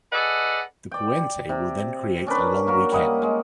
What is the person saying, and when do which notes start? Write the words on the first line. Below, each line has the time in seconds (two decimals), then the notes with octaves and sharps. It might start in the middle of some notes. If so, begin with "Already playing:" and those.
The puente will then create a long weekend.
0.13 G#4 A4 B4 D5 D#5 F#5
0.91 D5 G5
1.49 C3
2.27 C#4 D4 A#4 B4
2.67 A#3 F#4 A#4
2.91 G3 A#3 D#5 F#5
3.22 G#3